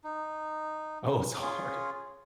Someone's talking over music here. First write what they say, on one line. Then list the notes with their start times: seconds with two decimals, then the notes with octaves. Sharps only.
Oh, it's harder.
0.04 D#4
1.41 C#4 F4 G#4